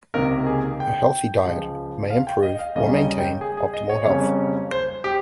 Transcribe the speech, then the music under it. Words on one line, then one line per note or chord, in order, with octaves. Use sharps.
A healthy diet may improve or maintain optimal health.
C#2 C3 D#3 A#3 A#4
G#4
G5
C#2 C#3 F3
F5
G5
D#5
F5
D#2 C#3 G3 A#3 C#4 D#5
D#5
G5
G#4
G#4
D#5
C#5
F2 C#3 G3 A#3 C#4
C5
G4